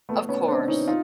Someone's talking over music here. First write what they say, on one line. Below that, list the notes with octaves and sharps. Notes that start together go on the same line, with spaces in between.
Of course.
A3 B3
B3 C#4
C4 D4
C#4 D#4
D#4 F4